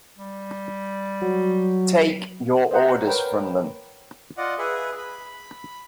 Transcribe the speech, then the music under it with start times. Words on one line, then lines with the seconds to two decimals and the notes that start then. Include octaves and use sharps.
Take your orders from them.
0.18 G3
1.21 F#3
2.71 C5 D#5 F#5 A#5
3.07 A#4 B4 C#5 G5
4.37 F4 D5 D#5 F#5
4.58 G#4 B4 E5
4.97 B5